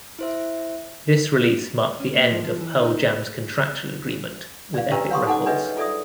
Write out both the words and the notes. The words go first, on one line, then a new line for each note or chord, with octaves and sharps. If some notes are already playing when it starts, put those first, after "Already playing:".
This release marked the end of Pearl Jam's contractual agreement with Epic Records.
E4 C5 E5
C#4
A#3
F3
F3
E3
D#4
D5 F5
C#4 D4 G4 A#4 B4 A#5
C#5 F5 F#5 C6 C#6 D#6
D#4 A4 F#5 D6
D4 G#4 B4 C#5 D#5 E5
F4 A4 D5 E5 D#6